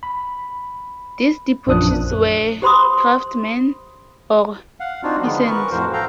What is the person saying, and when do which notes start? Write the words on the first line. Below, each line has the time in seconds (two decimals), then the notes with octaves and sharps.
These deportees were craftsmen or peasants.
0.03 B5
1.67 A#1 F#2 F3 D4 D#6 F#6
2.62 G4 C5 B5 C6 D#6
4.80 F5 F#5
5.03 C4 D4 D#4 F4 F#4
5.22 D3 D#3 F3 G#3 B3
5.46 E3 A#4 B4 C#6
5.71 F2 A2 E3 F3 F#4 C5
5.93 A4 F5 G5 A#5